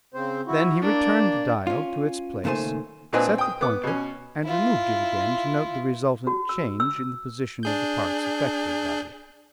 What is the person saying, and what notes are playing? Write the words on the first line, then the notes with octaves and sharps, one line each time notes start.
Then he returned the dial to its place, set the pointer, and removed it again to note the resultant change in the position of the parts affected by the act.
C#3 C4 C5
E4 F#4
A#3 D4
C#4 F4
C#2 A#2 D#3 A3 C5 G#5
A#2 C4 D4 B4 D#5 G#5
G5 D#6
B3 D6
B2 C#4
E4 F4
F#4
E6
E6
D4 G#4 G6